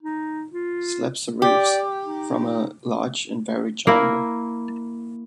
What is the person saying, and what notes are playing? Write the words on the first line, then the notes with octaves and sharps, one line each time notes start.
Slab serifs form a large and varied genre.
D#4
F4
G4 D5
D#4
A#3 E4 A#4